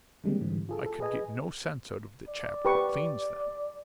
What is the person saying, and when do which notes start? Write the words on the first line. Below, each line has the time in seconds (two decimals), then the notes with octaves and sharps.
I could get no sense out of the chap who cleans them.
0.24 D3 D#3 G3 G#3 A#3 C4
0.41 G#2 D3 E3 G3
0.69 F4 G#4 A4
0.86 A4
1.00 G#4 B4 D#5 G#5
2.28 D5
2.65 G4 B4 C#6